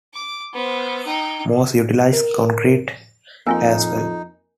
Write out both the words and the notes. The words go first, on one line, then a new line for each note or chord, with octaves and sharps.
Most utilized concrete as well.
D6
B3 C5
D#4 G5
A#4
F2 A#3 C4 D#4 F4 A#4 G#5